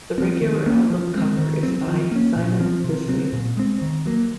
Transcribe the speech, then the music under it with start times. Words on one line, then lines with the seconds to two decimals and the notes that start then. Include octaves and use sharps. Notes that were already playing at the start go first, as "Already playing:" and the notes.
The regular album cover is by Simon Bisley.
0.18 F3 C4
0.42 D#3
0.66 A#3 C#4
0.90 F3
1.15 G#3 C4
1.39 D#3
1.63 F#3 C4
1.87 F3
2.12 A#3 C#4
2.36 A#2
2.60 F3 C4
2.84 C3
3.08 F#3 C4
3.33 A#2
3.57 G#3 C4
3.82 D#3
4.06 F#3 A#3